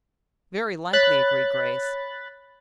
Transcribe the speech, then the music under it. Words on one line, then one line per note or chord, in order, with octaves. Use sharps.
"Very likely," agreed Grace.
C#5 B5 F#6 A6